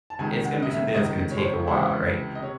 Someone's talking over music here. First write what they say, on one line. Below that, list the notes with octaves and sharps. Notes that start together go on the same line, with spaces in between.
it's gonna be something that's gonna take a while, right?
A5
C#2 C3 D#3 G#5
F#5
D#5
E5
C#2 C3 D#3 D#5
C#5
C5
C#5
C#2 C3 E3 C5
D#5
C3 C#5